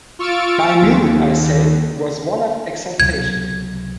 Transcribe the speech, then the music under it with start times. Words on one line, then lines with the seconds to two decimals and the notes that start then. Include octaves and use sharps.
My mood, I say, was one of exaltation.
0.19 F4 C#6 E6 F6 A6 D7
0.82 D#2
3.00 C#2 C3 F#3 G#6